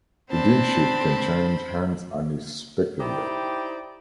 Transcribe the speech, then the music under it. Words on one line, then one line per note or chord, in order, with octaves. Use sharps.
The Deanship can change hands unexpectedly.
C4 D4 C5 A5 B5
D#4 E4 G4 C5 D5 G5